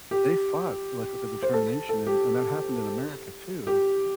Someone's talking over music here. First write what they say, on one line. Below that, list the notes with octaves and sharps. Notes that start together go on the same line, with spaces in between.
they fought, like, with a determination and and that happened in America too,
G4
C5
A4
A4
G4
G4